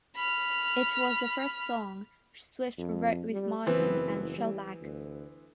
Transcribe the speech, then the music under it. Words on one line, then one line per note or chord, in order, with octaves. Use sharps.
It was the first song Swift wrote with Martin and Shellback.
B5 F6
F2
G3
F#1 E3 B3 C4
G3
D2